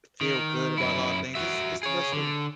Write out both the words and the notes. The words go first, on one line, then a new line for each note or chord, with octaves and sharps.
feel good about a lotta things. It's it's the best feeling.
D#3
F#2 E4
F#4 E5
G#4 C#5
D3